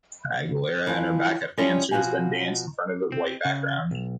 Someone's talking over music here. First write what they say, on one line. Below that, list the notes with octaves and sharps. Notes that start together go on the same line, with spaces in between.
Aguilera and her backup dancers then dance in front of a white background.
E3 F3
F3 G3 C#4 E4
B2 F3 A#3 F#4 F5 G#5
C4
C#3
B1